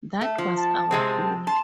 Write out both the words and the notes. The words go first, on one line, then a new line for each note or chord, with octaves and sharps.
That was our goal.
A3
F3
A5
C3 G#3 C4
A5 C6